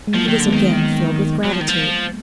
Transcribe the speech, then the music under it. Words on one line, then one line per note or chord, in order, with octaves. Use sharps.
He was again filled with gratitude.
G#3
F3 F#3 A#3
D#3
D3
G#3 B3
D#3
F#3
F3
D#3
F3